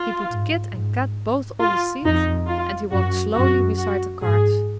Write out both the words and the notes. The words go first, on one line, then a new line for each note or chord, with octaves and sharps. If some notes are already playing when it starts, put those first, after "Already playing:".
He put Kit and Kat both on the seat, and he walked slowly beside the cart.
Already playing: F4
G#2
G#2
F4
F2 D#4
F4
F#2 F#4
F#2 F#4
F#4
G#2 G#4